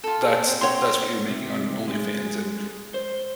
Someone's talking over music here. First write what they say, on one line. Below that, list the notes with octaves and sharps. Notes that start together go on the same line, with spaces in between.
that's that's what you're making on OnlyFans, and
F4 A4
G#4
C4
F#4 G4 C#5 C6
C4
C3
G#3
C5